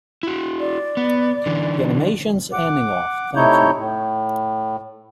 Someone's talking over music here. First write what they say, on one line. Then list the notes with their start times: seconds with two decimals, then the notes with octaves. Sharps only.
The animation's ending of, Thank you.
0.23 E4 F#4
0.60 D5
0.97 B3
1.46 D3 E3
2.53 F#5 D6
3.36 C3 A3 D#4 E4 C#5 G6
3.77 A2